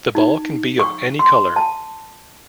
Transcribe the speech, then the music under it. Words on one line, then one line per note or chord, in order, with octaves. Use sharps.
The ball can be of any colour.
D#4
C#6
C6
A5